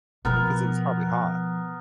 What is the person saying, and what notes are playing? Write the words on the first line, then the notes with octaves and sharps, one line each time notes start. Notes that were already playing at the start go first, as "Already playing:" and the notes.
'Cause it was probably hot.
B2 F3 B3 A#4